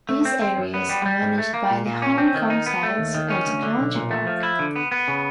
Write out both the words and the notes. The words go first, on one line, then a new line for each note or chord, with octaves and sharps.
These areas are managed by the Hong Kong Science and Technology Park.
A3
C4
C4
F#2
B3
G3
G3
G#2
A3
A#3
A#2
A#2
C#4
C4
D#3
D#4
B3
A3
D#2
D#3
C#4
D2
D3
B1
A#2
A3
F3
E4
D3
B3
B3
C#3